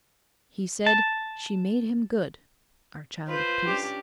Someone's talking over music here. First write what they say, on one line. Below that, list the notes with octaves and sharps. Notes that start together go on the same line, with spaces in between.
He said, "She made him good"--our child of peace.
A5
F4 B4 C5
C#4 D4 G4